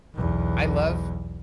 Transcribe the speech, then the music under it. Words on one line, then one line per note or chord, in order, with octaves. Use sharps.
I love
B1 E2